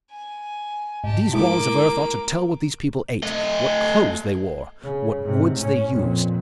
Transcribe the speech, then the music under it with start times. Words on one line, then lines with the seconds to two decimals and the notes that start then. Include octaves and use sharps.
These walls of earth ought to tell what these people ate, what clothes they wore, what woods they used.
0.11 G#5
1.04 G#2 G4 A5
1.33 G#3 A#3 E4 D6
3.22 A3 D#5
4.82 C#3
5.21 G#2 C3
5.54 A2 C#4
5.90 F2 A#2